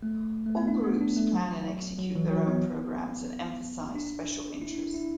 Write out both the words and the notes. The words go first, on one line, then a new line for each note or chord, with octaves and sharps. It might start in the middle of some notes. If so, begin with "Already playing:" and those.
All groups plan and execute their own programs and emphasize special interests.
A3
A3
B3
D4
B3
D4
A3
F#3
F#3
E3
F#3
B3
D4
E4
D4
E4